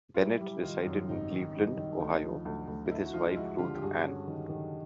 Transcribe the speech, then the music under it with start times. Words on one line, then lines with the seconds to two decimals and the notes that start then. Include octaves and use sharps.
Bennett resided in Cleveland, Ohio, with his wife Ruth Ann.
0.14 F4
0.18 G3 E4
0.41 G3
0.63 D#3 D#4 F4
0.86 F#2
1.09 G#1 D#4
1.32 D#3
1.55 G3
1.77 D#3
2.00 D2
2.23 F3
2.45 D2
2.68 D2
2.86 D#4
2.90 D2 E4
3.05 F#4
3.13 F3 D#4 F4
3.28 F4
3.36 G#3 E4 F#4
3.58 D3 F4 G4
3.74 G4
3.82 G2 F#4 G#4
4.05 C#4
4.28 D#3
4.49 D#3